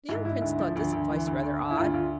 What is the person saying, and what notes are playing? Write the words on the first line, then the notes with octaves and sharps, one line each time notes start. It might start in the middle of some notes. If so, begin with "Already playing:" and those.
The young prince thought this advice rather odd.
G#2 E4
G#2 E4
D2
F3
D2
D2
E3
D2
D2
D2
E4
D2 F4
D2 F4